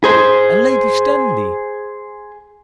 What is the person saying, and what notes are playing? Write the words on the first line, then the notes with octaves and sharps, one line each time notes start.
And Lady Stanley!
G#4 C5